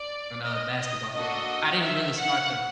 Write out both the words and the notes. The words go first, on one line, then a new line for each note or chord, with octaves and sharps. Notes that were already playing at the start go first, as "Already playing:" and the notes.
and, uh, basketball games, I didn't really start to v
Already playing: D5
D#5
D#5
A#3 D4 F#4 A4 D#5
E5
F#5